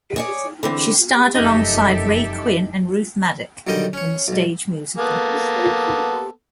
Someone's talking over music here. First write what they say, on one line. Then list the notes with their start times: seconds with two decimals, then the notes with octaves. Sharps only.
She starred alongside Ray Quinn and Ruth Madoc in the stage musical.
0.16 G#4 C#5 D5
0.63 D3 E3 C4
1.35 F1 F#2 D#4 G4 A4 D#5 E5
3.67 B1 D3 D#3 G3 D#5 G5
3.93 C#4 C#5
4.28 B1 G#2
4.97 A#3 B3 A4